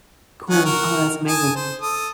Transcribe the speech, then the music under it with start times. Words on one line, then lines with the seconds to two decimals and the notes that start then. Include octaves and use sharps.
Cool. Oh, that's amazing.
0.50 D#3 C#4 F#5
0.65 F#4 A#4
1.28 G#5 A5 D#6
1.56 C5
1.82 A4 D#6